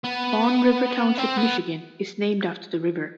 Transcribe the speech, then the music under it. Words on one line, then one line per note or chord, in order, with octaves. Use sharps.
Fawn River Township, Michigan is named after the river.
B3
C4
B3